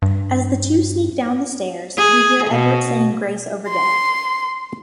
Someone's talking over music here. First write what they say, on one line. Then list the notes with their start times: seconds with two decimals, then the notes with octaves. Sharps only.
As the two sneak down the stairs, we hear Edward saying grace over dinner.
0.02 G2
1.97 G#4
2.50 B2
3.69 C6